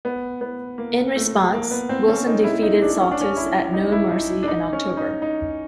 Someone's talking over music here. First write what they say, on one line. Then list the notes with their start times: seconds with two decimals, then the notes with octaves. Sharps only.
In response, Wilson defeated Psaltis at No Mercy in October.
0.05 B3
0.41 B3
0.78 A#3
1.16 A3
1.53 A#3
1.71 B3
1.89 C4
2.08 C#4
2.27 D#4
2.44 E4
2.62 D#4
2.82 D4
3.00 C#4
3.11 D4
3.21 C#4
3.37 E4
3.74 D#4
3.92 E4
4.10 D#4
4.43 D4
4.48 D#4
4.73 C#4
4.97 D#4
5.22 D#4